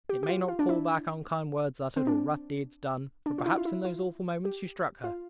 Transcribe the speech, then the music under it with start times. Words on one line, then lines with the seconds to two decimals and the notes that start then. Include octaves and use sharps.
It may not call back unkind words uttered or rough deeds done--for perhaps in those awful moments you struck her!
0.09 G4
0.23 G4
0.29 F4
0.48 F4
0.59 D4
0.69 E4
1.96 C4
2.07 D4
3.26 D4
3.38 F4
3.46 E4
3.57 F4
3.65 E4
3.85 F4
4.45 G4
5.04 F4